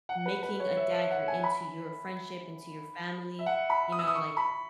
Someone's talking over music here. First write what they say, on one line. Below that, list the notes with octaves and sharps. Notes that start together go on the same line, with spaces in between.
making a dagger into your friendship, into your family, you know, like
F#5
B4
B4
C#5
E5
E5
F#5
G#5
B5
E5
F#5
B5
D#6
E6
D#6
C#6
B5